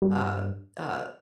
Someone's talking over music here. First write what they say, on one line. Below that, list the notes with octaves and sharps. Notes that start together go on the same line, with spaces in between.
uh uh
G2